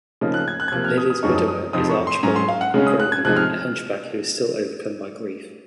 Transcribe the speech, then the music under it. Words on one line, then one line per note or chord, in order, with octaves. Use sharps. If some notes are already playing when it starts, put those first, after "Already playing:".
Lily's widower is Archibald Craven, a hunchback who is still overcome by grief.
C#3 F3 A#3 D#4
F#6
G#6
F#6
G#6
C3 F3 A#3 F#6
F6
D#6
D#6
F#2 F3 G#3 D#4 C#6
D#6
D#6
F2 C3 F3 C4 D#4 D#6
C#6
C6
G#2 F#3 C#4 A#5
C6
F5
F#5
C#3 G#3 C#4
D#6
F#6
G#6
C3 F3 G#3 D#4 F#6
F6